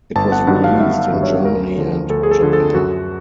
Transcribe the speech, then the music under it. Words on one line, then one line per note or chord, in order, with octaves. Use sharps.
It was released in Germany and Japan.
G1 A5
F#5
G2 D#3 F#3 F#5
F5
G1 E5
G2 D#3 F#3
C#5
D2 A#4
D3 F3
D2 A4
G#4
A4
D3 F3
A4
F#2 F#4